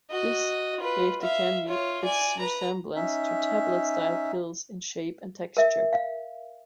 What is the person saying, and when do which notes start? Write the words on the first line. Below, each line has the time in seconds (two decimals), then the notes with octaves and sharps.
This gave the candy its resemblance to tablet-style pills in shape and texture.
0.11 F#4 D#5
0.80 F4 B4
1.22 E5 F5
1.68 F4 C#5
2.04 D5 G#5
2.40 B4 A#5
2.96 C#4 D#4 E5
5.57 A#4 E5
5.93 F5